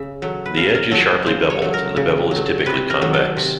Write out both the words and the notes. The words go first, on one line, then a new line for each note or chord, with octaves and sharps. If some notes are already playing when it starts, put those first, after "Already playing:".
The edge is sharply beveled and the bevel is typically convex.
Already playing: C#3 E5
F#3 A3
B4
C#3 A#4
A#4
F#3 A3 A4
C#3 C5
C#5
F#3 A3
A#4
C#3
F#3 A3
C3 B4
A#4
D#3 F#3 A3
A4
C3